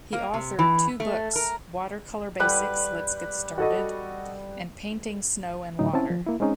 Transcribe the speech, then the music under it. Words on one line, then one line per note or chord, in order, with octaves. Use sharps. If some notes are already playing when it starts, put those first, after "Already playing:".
He authored two books, "Watercolour Basics: Let's Get Started" and "Painting Snow and Water".
A#3
C3
E3
A3
A#4
G3 B4 F#5
F#4 A4 D#5
A2 D3 F#3 D#4
C4 C#4 E4 A5
F3
A#3 E4
G#3 C4 C#4 D#4 G#4